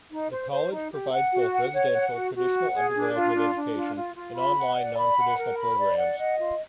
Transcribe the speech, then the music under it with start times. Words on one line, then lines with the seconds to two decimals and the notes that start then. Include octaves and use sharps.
The college provides both residential, traditional undergraduate education and online, non-traditional programs.
0.11 D#4
0.31 C5
0.51 C5
0.72 D#4
0.92 G4
1.12 F#5
1.33 F#4
1.53 F#5
1.73 C#5
1.93 F#5
2.13 F#4
2.34 F#4
2.54 F#5
2.75 G#4
2.95 D4
3.14 F4
3.34 D4
3.55 D4
3.76 F4
3.96 F4
4.15 F4
4.36 B5
4.57 F#5
4.77 D5
4.98 B5
5.17 F#5
5.37 A#4
5.57 B5
5.78 D5
5.98 F#5
6.19 D#5
6.38 F4